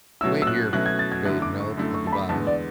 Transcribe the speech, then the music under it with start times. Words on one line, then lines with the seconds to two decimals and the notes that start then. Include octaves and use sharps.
"Wait here," bade Milt, at the bottom.
0.21 B2 F#3 A3 C#4 E4 E6
0.42 E6
0.47 F#6
0.73 B2 F#3 A3 C#4 E4 F#6
0.86 G#6
0.99 A6
1.12 G#6
1.25 F#2 D3 A3 E4 F#6
1.42 D6
1.60 C#6
1.77 F#2 D3 A3 E4
1.94 C#6
2.07 A5
2.12 B5
2.29 E2 D3 G#3 B3 A5
2.47 D5